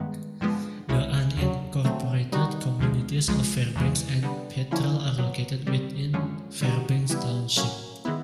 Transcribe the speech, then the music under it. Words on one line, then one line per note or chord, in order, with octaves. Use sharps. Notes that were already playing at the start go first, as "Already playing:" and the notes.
The unincorporated communities of Fairbanks and Petrel are located within Fairbanks Township.
Already playing: G2 D#3 G#3 B3
G2 D3 F3 G#3 B3
C2 B2 G#3 C#4 E4
D#2 D3 F#3
D3 F#3 A3 C4
G3 B3 D#4 F#4
D2 D3 F3 G#3
C#2 C#3 F3 G#3
E2 C#3 E3 G#3
D3 G3 B3
D3 F3 A#3 C#4 E4
A#2 F#3 B3
D#3 G3 C4
F#2 D3 F3 G#3 C#4
D3 G3 B3 D#4 F#4
E3 G3 B3 E4
A2 F#3 A#3 C#4
D#3 G#3 B3 E4